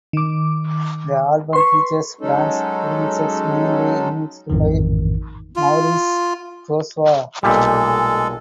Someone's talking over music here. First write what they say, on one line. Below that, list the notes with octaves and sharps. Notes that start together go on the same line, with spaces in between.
The album features dance remixes mainly remixed by Maurice Joshua.
D#3 D6
B4 C6 C#6
F#3 G#3 C#4 D#4 A4
A1 F2 G#2 D#3
F4
B1 A#2 G3 G#3 A4